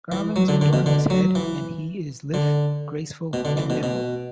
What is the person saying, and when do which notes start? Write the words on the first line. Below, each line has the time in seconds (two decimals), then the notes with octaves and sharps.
Garlands adorn his head, and he is lithe, graceful, and nimble.
0.12 E3
0.36 F#3
0.48 D3
0.61 D3
0.73 B2
0.86 D3
1.10 F#3
1.35 E3
2.34 D3
3.33 B2
3.45 D3
3.57 E3
3.70 B2
3.83 B2